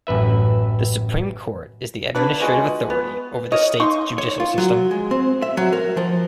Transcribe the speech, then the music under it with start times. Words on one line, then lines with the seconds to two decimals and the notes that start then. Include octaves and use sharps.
The Supreme Court is the administrative authority over the state's judicial system.
0.07 A1 F#2 B4 E5
2.15 A#3 B3 D4 B4
2.40 F3 G#3 F#4 G#4
2.90 B3
3.52 A#4 C#5 D#5
3.80 D#4 F5 C6 C#6
4.18 C#5
4.40 F4
4.58 F#3
4.91 G#3
5.11 C4
5.42 E5
5.57 F#3
5.73 A#4
5.97 F3